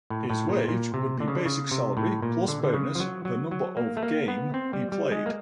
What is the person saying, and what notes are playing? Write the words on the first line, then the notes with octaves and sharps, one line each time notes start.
His wage would be basic salary plus bonus per number of game he played.
A2
A2
A#2
A#2
C3
D3
C#3
D3
C#3
C3
A2
A#2
D3
D3
C#3
F3
F#3
F#3
F#3
A#3
A3
A#3
B3
C4
G3
G3
G#3
A#3